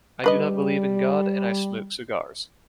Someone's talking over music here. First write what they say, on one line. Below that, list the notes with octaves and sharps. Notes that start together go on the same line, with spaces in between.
I do not believe in God and I smoke cigars.
G3 D4 B4 D#5